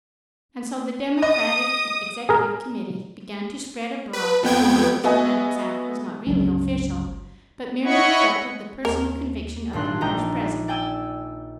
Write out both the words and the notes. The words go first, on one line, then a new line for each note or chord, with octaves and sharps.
And so the Democratic Executive Committee began to spread abroad the news that its act was not really official, but merely reflected the "personal conviction" of the members present.
D#5 D#6
G#4 A#4
B4
F2 B3 G5 G#6
B3 F#4 D#5 E5 G#5
G1 C#2 F#3 C#4
E4 C#5 D#5 F#5 B5 C#6
D#2 A#4
G#1 A#2 D4 C6 F#6
A#1 D#4 G5 A#5 G6
D5 G5 G#5 E6